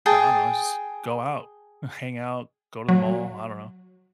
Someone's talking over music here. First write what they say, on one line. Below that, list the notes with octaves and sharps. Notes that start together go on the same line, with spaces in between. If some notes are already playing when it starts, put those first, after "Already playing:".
I don't know, I just go out, hang out, go to the mall, I don't know.
G#4 G5 A5
F#3